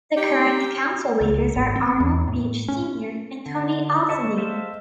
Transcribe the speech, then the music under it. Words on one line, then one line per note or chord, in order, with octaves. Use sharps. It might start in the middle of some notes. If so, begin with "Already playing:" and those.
The current council leaders are Arnold Beach Senior and Tony Alsenay.
D#4 G4
C#4
C#2
G#1
C4
E2
A2
C#4
D3
C#5 D#5 E5 A5 A6
C5 E5 F5